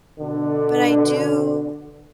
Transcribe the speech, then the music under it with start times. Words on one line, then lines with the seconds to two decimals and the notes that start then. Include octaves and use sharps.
but I do
0.19 B2 D3